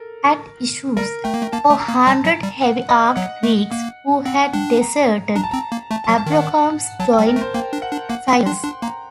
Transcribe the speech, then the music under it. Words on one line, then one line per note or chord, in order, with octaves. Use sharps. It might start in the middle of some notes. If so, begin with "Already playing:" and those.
At Issus four hundred heavy-armed Greeks, who had deserted Abrocomas, joined Cyrus.
Already playing: A4 A#4
G3 A#4
A3 G5
A#3
A3
A#3 A5
A3
A#5
A#3
G3 A5
F#3
G3
F#5
D#5
F#3 F#5
A3
A#3
C4 F#5
D4 G5
A#5
D4 A#5
A5
C4 A#5
A#3
A3 A5
F#3 A5
A5
D#3
F#5
F#3 A5
G5
G3
A#4
A3
C5
A#3 G5
D4
F#5
D4
A#3 F#5
C4 G5
D4 C6
D4 C6
A#3 A#5